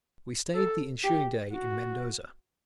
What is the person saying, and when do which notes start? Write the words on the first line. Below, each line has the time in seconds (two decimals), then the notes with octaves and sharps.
We stayed the ensuing day in Mendoza.
0.55 A4
1.04 G4
1.53 F#4